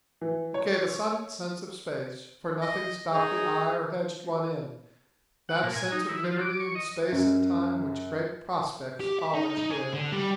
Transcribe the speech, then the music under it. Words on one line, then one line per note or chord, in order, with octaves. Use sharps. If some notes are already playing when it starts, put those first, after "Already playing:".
It gave a sudden sense of space, for nothing stopped the eye or hedged one in,--that sense of liberty in space and time which great prospects always give.
E3
C#5
D#5
D#4 G#4
F#5
A#2
G#5
D#4
E4
F3
D6
C#6
D#5
F#2
G4
E5
D#4
D#4
G#4
D3
G3